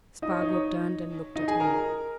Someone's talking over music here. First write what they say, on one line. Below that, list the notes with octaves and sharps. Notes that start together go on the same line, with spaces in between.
Spargo turned and looked at him.
D#4 D#5
C#5
D#4 D#5
C#5
D#4 D#5
G#4 G#5
A#4 A#5